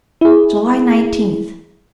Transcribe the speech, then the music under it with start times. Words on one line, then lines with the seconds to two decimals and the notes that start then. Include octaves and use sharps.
July Nineteenth.
0.21 E4 G#4